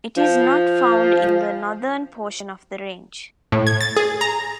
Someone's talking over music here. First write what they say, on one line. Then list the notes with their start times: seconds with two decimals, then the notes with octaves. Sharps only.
It is not found in the northern portion of the Range.
0.17 F3
3.52 A2
3.67 G#6
3.81 A6
3.97 G#4
4.21 A#5